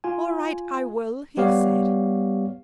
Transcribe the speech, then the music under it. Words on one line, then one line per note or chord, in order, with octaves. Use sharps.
"All right, I will," he said.
F4 G#5
G3 B3 G4 C#5 F5